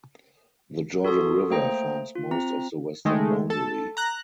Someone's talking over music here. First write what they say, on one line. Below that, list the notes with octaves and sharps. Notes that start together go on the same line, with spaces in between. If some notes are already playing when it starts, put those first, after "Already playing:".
The Jordan River forms most of the western boundary.
F#4 A4 C6 D#6
A3 A#3 C5 G5 A#5 A#6
F4
C4 F4 A#5
D#3 G#3 A3
A4 A5
A#5 F#6